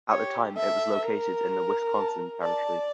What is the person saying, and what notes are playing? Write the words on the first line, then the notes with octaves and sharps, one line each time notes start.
At the time, it was located in the Wisconsin Territory.
G4 C#5
A4 E5
A#4
A5
D5 A5